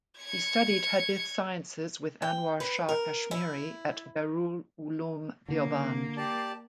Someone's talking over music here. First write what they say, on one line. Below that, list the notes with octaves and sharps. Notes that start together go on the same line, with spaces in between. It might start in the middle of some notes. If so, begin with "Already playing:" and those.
He studied hadith sciences with Anwar Shah Kashmiri at Darul Uloom Deoband.
G#6 C#7
G5
B4
A#4
E4
D3 A#3
G4 D5 A5